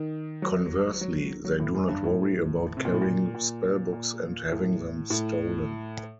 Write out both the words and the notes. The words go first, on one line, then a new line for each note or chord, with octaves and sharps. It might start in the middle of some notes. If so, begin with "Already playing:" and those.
Conversely, they do not worry about carrying spell books and having them stolen.
Already playing: D#3
F#3
F#3
F#3
A2
F#2
G2
A2
C3
A#2
A2
A#2
A#2
A#2
A2
A2